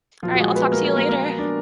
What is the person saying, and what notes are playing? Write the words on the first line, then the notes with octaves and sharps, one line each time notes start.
Alright, I'll talk to you later.
A#2 F3 F#3 F4
F#4
G#3 G#4
B3 B4
A#3 A#4
A#3 A#4
A#3 A#4
A#3 A#4
D4